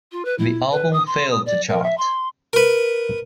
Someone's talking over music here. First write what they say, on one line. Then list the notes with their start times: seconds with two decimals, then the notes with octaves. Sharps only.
The album failed to chart.
0.11 F4
0.24 B4
0.38 E4
0.71 B4
0.92 D#6
1.06 C6
1.30 D#6
1.45 D5
1.68 A#4
1.83 E5
1.97 C6
2.53 A#4 B4